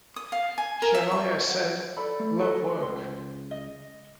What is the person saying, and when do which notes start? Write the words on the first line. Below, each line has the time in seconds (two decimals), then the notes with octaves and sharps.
Shemaiah said: Love work.
0.16 D#6
0.32 F5
0.58 G#5
0.82 A#4
0.95 E5
1.12 C#6
1.49 F#5
1.97 A4 D5 B5
2.20 A3
2.40 A4 B4 D#5
2.80 C#2 C6
3.51 D#5